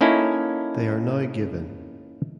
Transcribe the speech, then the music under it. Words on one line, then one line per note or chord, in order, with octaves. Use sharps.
They are now given.
A#3 C#4 D#4 E4 A4